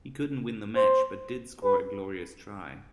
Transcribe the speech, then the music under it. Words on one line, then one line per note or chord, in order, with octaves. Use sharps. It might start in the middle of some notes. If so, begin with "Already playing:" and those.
He couldn't win the match but did score a glorious try.
C5
B4